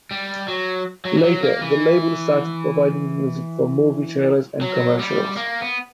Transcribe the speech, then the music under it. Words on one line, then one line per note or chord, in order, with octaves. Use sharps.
Later, the label started providing music for movie trailers and commercials.
G3
F#3
F#3
E3
F#3
A#3
E3
F#3
G3
A#3
B3